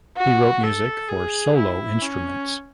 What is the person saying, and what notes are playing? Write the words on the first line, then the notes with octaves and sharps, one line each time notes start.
He wrote music for solo instruments.
F#4
A4
G#4
E4
C#4